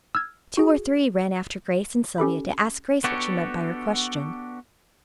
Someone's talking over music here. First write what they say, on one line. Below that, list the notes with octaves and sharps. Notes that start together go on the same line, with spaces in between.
Two or three ran after Grace and Sylvia to ask Grace what she meant by her question.
E6 F6 G#6
F#4 G#4
C#4 G4 A4 B5
B3 D4 F#4 G4 A4 C#5